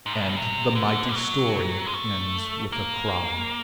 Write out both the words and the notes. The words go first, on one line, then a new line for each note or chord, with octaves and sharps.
And the mighty story ends with a cry.
G#2
A2
A#2
B2
C3
D3
G3
F#3
G#3
A3
A#3